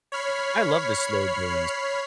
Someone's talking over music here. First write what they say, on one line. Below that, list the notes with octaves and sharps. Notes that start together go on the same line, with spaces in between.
I love the slow burns.
C#5 B5 F6 C7